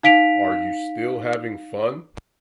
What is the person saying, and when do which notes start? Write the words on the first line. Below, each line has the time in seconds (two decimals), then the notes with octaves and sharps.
Are You Still Having Fun?
0.03 D#4 F5 B6 D7 F7